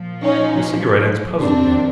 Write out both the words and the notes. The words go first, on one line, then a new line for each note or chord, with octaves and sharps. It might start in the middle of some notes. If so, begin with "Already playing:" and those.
The cigarette-ends puzzled me.
Already playing: A#2 F3
C#4 D#4
F2 C3 D#3 C4 D4